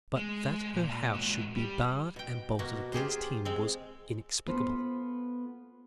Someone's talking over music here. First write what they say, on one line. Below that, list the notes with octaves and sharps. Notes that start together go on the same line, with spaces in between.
But that her house should be barred and bolted against him was inexplicable.
G#3
A#2
G#2 F#4
G3
B2 G5
B2 A#3 F#4
F4 G4 G#4 C5
G#3 C4
B3 F4 A4 C5